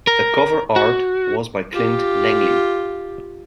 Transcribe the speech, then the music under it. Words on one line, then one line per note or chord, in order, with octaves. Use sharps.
The cover art was by Clint Langley.
A#4
F#4
F4 G4